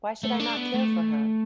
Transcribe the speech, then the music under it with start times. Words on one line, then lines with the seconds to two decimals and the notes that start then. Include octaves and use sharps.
Why should I not care for her?
0.23 A3
0.40 D4
0.57 B3
0.74 A3